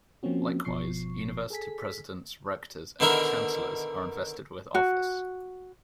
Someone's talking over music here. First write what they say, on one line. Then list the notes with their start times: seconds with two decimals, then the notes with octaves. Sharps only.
Likewise, university presidents, rectors and chancellors are invested with office.
0.23 F3 A#3 C4 C#4 F#4
0.65 G1 B2 F3 C#6 C7
1.50 G#4 A4 G#5 B6
3.00 B2 D3 D#3 E4 A#4
4.75 F#4